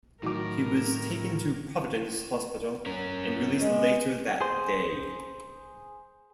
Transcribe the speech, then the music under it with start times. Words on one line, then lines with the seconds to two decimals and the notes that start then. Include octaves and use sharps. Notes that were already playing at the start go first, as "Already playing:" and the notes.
He was taken to Providence Hospital and released later that day.
0.23 A2 D#3 F#3 A#4 D6
2.86 C#4 A#4
3.61 G#3
4.41 G#4 C5